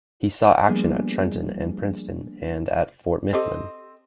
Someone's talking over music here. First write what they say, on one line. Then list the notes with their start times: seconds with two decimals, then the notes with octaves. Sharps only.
He saw action at Trenton and Princeton, and at Fort Mifflin.
0.68 F3 G3 A#3 B3 D4 G#4
3.33 C4 G4 A4 C5 D#5